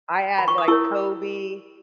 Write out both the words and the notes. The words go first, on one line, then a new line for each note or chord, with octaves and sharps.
I add, like, Colby
B5
C#6
D#6
E4 A#4 C#5 C#6 E6